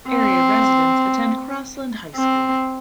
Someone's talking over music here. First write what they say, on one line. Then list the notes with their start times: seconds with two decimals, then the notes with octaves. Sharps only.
Area residents attend Crossland High School.
0.09 C4
2.16 C4